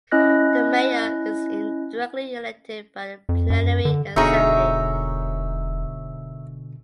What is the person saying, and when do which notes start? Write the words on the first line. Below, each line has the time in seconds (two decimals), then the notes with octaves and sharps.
The mayor is indirectly elected by the plenary assembly.
0.12 C#4 E4 D#5 F#6 A#6
3.29 F2
3.50 F#2
3.85 D3
4.16 E1 B2 D3 D#4 G#4 A#4 C#5 E5